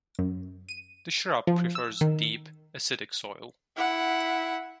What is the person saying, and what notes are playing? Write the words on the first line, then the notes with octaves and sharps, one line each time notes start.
The shrub prefers deep, acidic soil.
F#2
D#7
F3
E6
D#3
E4 F#5